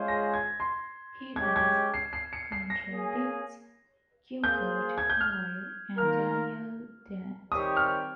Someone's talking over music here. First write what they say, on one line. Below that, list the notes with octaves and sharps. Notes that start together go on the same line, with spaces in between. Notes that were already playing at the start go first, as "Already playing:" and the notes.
He thus contradicts Gilbert Ryle and Daniel Dennett.
Already playing: G#3 C#4 F4 G#4 C5
A#6
G#6
C6
G#3 C#4 G4 G#6
G#6
C7
C7
C#7
C7
A#6
A#3 C#4 G#4
A#3 F4 G#4 C5 G6
G#6
G6
F6
D#3 A#3 F4 A#4 F6
D#3 G3 C4 G4 C#5 D#6
F6